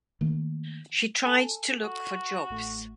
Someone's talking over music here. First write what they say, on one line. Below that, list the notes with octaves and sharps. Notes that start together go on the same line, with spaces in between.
She tried to look for jobs.
D#3 A3 A#3
A4 G#5 A5
F#4
A1 A3